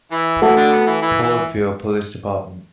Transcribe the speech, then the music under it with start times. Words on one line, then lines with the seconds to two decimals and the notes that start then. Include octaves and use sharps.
Port Vue Police Dept.
0.11 E3 E4
0.42 E3 A3 E4 F#4 A4 F#5 A5
0.57 D3 D4
0.73 B3
0.87 E3 E4
1.02 E3 E4
1.22 E3 E4